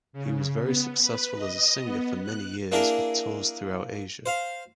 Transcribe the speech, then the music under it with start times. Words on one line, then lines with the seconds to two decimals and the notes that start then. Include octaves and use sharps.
He was very successful as a singer for many years with tours throughout Asia.
0.13 C#3
0.63 B3
1.01 B4
1.35 D#5
1.82 B3
2.23 F#6
2.72 A#3 D4 E4 G#4 A#4
4.26 C5 F5